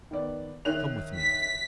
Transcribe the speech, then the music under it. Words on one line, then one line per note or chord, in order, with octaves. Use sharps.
Come with me.'
D#3 B3 D5
D#3 C#5 E5 F#6 F7
B6